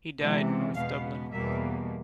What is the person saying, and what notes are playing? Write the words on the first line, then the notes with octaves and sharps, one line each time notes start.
He died in north Dublin.
C3 E3 G#3 B3
E2 B2 G#3 B3 F5
E2 B2 G3 A#3 E5